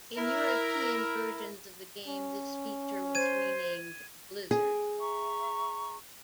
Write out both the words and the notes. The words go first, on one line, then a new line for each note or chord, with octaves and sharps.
In European versions of the game, this feature was renamed Blizzard.
E4 A#4
C#4
C5 G#6 D#7
G#4 G5
E5 A#5 C#6